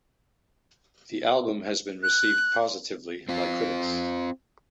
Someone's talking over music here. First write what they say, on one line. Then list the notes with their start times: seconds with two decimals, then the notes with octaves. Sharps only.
The album has been received positively by critics.
2.03 F#6
3.29 C4 F4